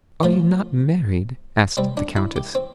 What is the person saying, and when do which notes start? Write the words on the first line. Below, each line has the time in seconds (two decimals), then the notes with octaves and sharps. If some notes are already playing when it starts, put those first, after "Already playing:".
"Are you not married?" asked the countess.
0.23 A2 F3 A3 F4
1.77 C3 G3 C4
1.97 D4
2.16 E4
2.36 G4
2.55 C4